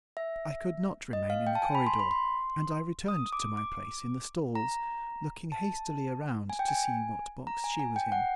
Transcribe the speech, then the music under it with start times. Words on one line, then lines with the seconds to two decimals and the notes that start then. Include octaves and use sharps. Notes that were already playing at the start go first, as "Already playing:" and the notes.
I could not remain in the corridor, and I returned to my place in the stalls, looking hastily around to see what box she was in.
0.17 E5
1.13 D#5
1.30 F5
1.47 G5
1.55 A5
1.62 G#5
1.75 B5
1.87 C6
2.00 B5
2.11 C6
3.08 D#6
3.33 D6
3.57 D6
4.55 A#5
5.52 A5
6.50 G#5
6.59 G5
6.68 G#5
7.47 A#5
7.64 G#5
7.80 G#5
7.96 G5
8.12 F#5